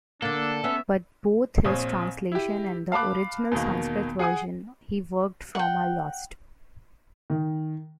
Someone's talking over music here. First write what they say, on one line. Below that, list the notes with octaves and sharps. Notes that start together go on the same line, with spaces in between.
But both his translation and the original Sanskrit version he worked from are lost.
D3 A#3 D4 A4
B3 C#4 E5
A#1 C4 C#5 D#6
E4 G4
F5 A5 B5 D6 F#6
E2 B2 D#3 A#3
G#4 F#5 G#5 D#6
F#5 G5
D#3